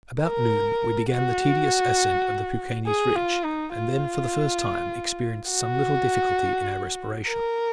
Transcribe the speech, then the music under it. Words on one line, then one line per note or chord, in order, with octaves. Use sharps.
About noon we began the tedious ascent of the Peuquenes ridge, and then for the first time experienced some little difficulty in our respiration.
A#4
F#4
G#4
F4
D#4
F4
F#4
A#4